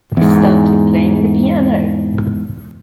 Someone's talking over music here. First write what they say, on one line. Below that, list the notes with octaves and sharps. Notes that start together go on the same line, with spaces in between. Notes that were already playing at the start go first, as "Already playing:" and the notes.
I started playing the piano.
E2 G#2